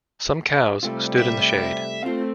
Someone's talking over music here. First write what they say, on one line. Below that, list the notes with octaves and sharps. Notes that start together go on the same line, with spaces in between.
Some cows stood in the shade.
C3 G3 A3 C4 F4
E5
A3 C4 F4 F5